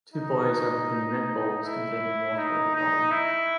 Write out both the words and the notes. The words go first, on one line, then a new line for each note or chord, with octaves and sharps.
Two boys are holding red bowls containing water at the bottom.
D#4
E4
D#4
D#4
E4